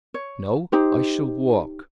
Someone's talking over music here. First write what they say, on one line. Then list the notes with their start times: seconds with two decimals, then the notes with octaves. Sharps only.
"No; I shall walk."
0.14 C#5
0.72 D#4 G4 C5